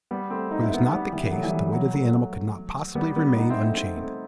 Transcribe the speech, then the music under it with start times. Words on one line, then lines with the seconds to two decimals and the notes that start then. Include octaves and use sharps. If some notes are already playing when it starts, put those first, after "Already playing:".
Were this not the case, the weight of the animal could not possibly remain unchanged.
0.11 G3 B3
0.30 A3 C4
0.51 D#4
0.62 E4
0.73 B3 D#4
0.91 G3 B3
1.13 E3 G3
1.27 B3
1.32 F#3 A3
1.43 E3 G3
1.53 F#3
1.63 E3
1.73 F#3
1.93 F#3 A3
2.95 G3 B3
3.16 G3 B3
3.36 B3 D#4
3.50 C4 E4
3.63 A3 C4
3.76 A3 C4
3.97 A3 C4